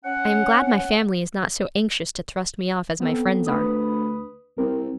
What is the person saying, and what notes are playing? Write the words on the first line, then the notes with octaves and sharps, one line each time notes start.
'I am glad my family is not so anxious to thrust me off as my friends are.'
C#4 F#5
B3 C4 A4
D2 B4 B5 D#6
C2 C4 A#4